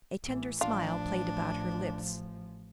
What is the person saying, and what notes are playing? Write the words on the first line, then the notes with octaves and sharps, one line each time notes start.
A tender smile played about her lips.
A1 E3
A1 F3 D4 F4